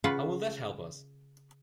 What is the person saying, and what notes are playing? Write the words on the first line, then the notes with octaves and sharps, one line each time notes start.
How will that help us?
C#3 F4 B4 F#5